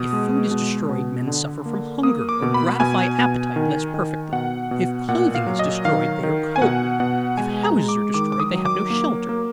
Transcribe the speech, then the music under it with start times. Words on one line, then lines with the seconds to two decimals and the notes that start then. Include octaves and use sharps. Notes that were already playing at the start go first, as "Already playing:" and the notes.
If food is destroyed, men suffer from hunger or gratify appetite less perfectly; if clothing is destroyed, they are cold; if houses are destroyed, they have no shelter.
Already playing: B2 D#6
0.13 G#3
0.51 B2
0.89 B2
1.27 D3
1.66 A#3
2.03 A#3 D#6
2.29 D6
2.42 B2
2.54 B5
2.80 B2 G#5
3.18 B2
3.56 D#3
3.94 D#3
4.32 B2 F#5
4.71 B2
5.08 A#2 F#5
5.35 F5
5.47 F#3
5.59 D#5
5.85 D#3 F5
6.23 D#3
6.56 G#5
6.61 B2 F#5
7.00 B2 F#5
7.37 G#3 G#5
7.63 A#5
7.77 G#3
7.89 D6
8.14 D#3 D6
8.32 D6
8.40 D#6
8.52 F#3
8.65 D6
8.90 A#3
9.29 A#3